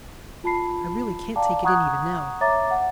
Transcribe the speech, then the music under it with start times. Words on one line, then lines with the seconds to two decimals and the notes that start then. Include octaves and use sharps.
I really can't take it in even now....
0.44 F4 A5 B5 C7
1.36 D5 F5 G5 A5 A#5 D6
1.64 F#5 A#5 C#6 D#6 F#6 G#6
2.41 C#5 E5 A#5 D6 A6
2.71 F#5